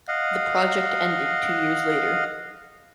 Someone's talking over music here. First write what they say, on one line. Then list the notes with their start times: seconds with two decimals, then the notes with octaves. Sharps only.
The project ended two years later.
0.08 D#5 F5 F#5